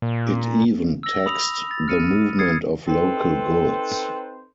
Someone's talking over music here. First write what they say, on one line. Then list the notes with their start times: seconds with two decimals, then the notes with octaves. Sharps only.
It even taxed the movement of local goods.
0.02 A#2
1.03 E6 A#6
1.26 B5 D#6 F7
1.71 A6
1.88 F6 C#7 D#7
2.39 D#6 G#6 A6 C7 C#7
2.87 C4 D#4 A4 B4 C5